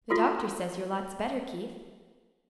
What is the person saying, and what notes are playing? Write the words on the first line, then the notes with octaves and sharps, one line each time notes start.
"The doctor says you're lots better, Keith."
F4 F#4 A4 C6